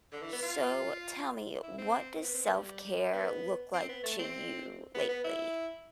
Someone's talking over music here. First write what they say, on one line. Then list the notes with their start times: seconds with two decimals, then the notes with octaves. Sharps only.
So tell me, what does self-care look like to you lately?
0.12 D3
0.22 E3
0.33 B3
0.42 F4
1.63 E4
1.78 C4
2.23 B3
2.34 C4
2.43 B3
2.53 G3
3.13 B3
3.73 C4
3.89 B3
4.03 A3
4.19 C4
4.94 B3
5.09 B3
5.24 E4